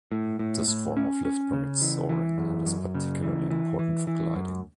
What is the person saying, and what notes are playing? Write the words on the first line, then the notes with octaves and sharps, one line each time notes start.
This form of lift permits soaring and is particularly important for gliding.
A2
A2
A2
C#4
C#4
C#3
E3
E3
F#2
F#2
C#3
E3
E3
E3
E3
F#2